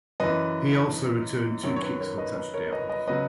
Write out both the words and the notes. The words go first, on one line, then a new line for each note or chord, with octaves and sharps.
He also returned two kicks for touchdowns.
F#2 E3 B4 D#5
F#2 D#3 F#3 A#4 C#5
C#5
B4
A#4 C#5
B4 D#5
B4
A#4 C#5
B4 D#5
B4 D#5
C#3 F#3 B4 D#5